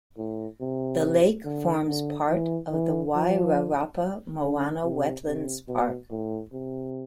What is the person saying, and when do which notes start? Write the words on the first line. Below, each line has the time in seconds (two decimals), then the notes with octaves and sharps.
The lake forms part of the Wairarapa Moana Wetlands Park.
0.18 A2
0.60 C3
1.44 D3
1.87 D3
2.30 E3
2.72 E3
3.15 F3
4.41 D3
4.84 C3
5.27 C3
5.68 B2
6.11 A2
6.53 C3